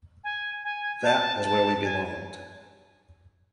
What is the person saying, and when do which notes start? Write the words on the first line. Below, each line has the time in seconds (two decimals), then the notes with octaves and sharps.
That was where we belonged.
0.24 G#5
0.64 G#5
1.04 A5
1.44 A5
1.84 G#5